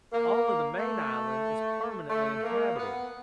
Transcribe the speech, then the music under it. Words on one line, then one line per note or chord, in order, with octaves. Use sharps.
Only the main island is permanently inhabited.
A#3
A3
A3
A#3
B3